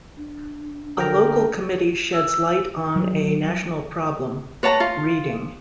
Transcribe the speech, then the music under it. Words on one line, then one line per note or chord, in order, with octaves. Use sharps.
A Local Committee Sheds Light on a National Problem: Reading.
D4
D3 A#4 G5 A#5
E6
F#3
B4 C#5 A5 A#5
F4 F5